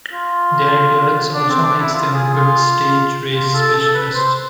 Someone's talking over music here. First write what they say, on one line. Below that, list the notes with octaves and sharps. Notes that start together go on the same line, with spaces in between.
Their endurance also makes them good stage race specialists.
F4
D4
C4
D4
E4
F4
G#4
F4
F4
A4
A4
B4
C5